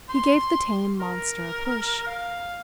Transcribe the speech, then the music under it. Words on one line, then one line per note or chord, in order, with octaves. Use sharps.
He gave the tame monster a push.
C6
A#4
F5